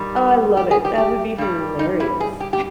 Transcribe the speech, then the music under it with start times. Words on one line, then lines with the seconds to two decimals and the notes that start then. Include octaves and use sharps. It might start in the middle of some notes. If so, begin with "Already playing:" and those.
Oh, I love it, that would be hilarious.
Already playing: G2 D#3 G3
0.57 G4
0.71 G#4
0.85 G4
0.98 G4
1.38 G2 G3
1.79 D#4
2.00 E4
2.20 G#4
2.40 G4
2.53 G4